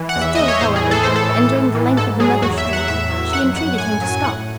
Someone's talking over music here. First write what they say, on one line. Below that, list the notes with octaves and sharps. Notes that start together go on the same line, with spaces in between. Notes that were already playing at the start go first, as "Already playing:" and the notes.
Still, however, and during the length of another street, she entreated him to stop.
Already playing: E3
F#5
E2
E5
E2 D#5
C#5
A2 C5
G#4
E3
A4
A2 C5
A4
E3
A2
E3
G#2 A4
F#3 G#4
E2 F#4
E5
E2
F#5
A2 E5
F#3
F#2 F#5
F#2 F#5
A2 G#5
F#3
A2 F#5